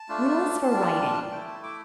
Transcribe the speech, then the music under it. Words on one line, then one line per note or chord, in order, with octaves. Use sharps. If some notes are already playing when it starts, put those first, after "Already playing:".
Rules for Riding.
Already playing: A5
A3 D4 F4
G3 D4 F4
A3 E4 G5
A5
D6